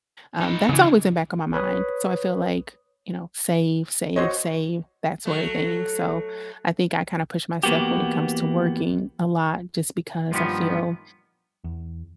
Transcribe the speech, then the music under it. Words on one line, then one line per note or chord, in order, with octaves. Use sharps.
um, that's always in back of my mind. So, I feel like, you know, save, save, save, that sort of thing. So, I think I kinda push myself when it comes to working a lot just because I feel
D#4 B4
C#3 E3
B4 C#5 D#6
F#4 C5 C#5 D#5
F#3 A3
E2 A#3 B3 F#4 G4
G2 A#2 D#3 F3 B3
E2